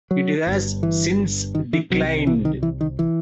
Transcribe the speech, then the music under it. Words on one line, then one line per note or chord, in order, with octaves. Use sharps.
It has since declined.
F#3
G1 G2
E3
D#3
E3
C2 C3 F#3
E3
D#3
E3
D#3
E3